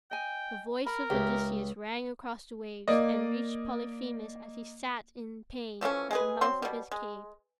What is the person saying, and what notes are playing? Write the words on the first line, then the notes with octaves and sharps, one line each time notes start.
The voice of Odysseus rang across the waves, and reached Polyphemus as he sat in pain at the mouth of his cave.
D#5 G5 G#5
A#4 B5
C#2 G4 G#4 E5
A#3 D5 D#5
E3 F3 A3 C#4
G#3 G#4 B4
F#3 C4 C6
B2 G3
G#3